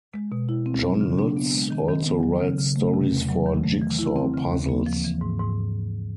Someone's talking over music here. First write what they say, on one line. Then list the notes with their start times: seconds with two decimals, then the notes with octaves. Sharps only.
John Lutz also writes stories for jigsaw puzzles.
0.14 G#3
0.32 B2
0.49 E4
0.66 C4
0.84 F#3
1.01 C#3
1.19 D4
1.37 B3
1.54 G#3
1.71 D#3
1.88 D#3
2.06 B3
2.23 F#3
2.41 C#3
2.58 C#3
2.76 A3
2.94 C3
3.11 E2
3.29 F#3
3.46 D#3
3.64 A3
3.82 E3
3.99 E4
4.16 C4
4.34 C#3
4.52 D#2
4.69 A#3
4.86 F3
5.04 E3
5.21 G#2
5.39 G#2